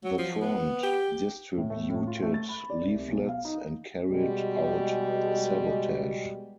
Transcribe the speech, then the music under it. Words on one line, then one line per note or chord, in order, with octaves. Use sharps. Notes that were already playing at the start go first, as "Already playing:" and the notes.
The front distributed leaflets and carried out sabotage.
F#3
F3
B3
G4
A2
A3
A2
F4
A3
A6
B5
D5
C2
B1
F5
D#4
B2 G3 G#3